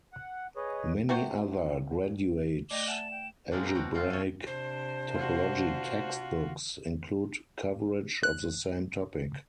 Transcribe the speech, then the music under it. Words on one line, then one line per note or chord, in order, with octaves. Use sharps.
Many other graduate algebraic topology textbooks include coverage of the same topic.
F#5
G#4 B4 C#5 D#5
C3 C4 F#4 C5
A3 D5 D#5 G5 D6 F7
E5 F#5 G#5 A5 E7
G5
F#3 G#3 A#3 C4 D4
B2 G5 A#5
B2 C4 F#4
F3 A3 C4 F4
A4 C#5
C3 D4 C5
F4 F#4
F#6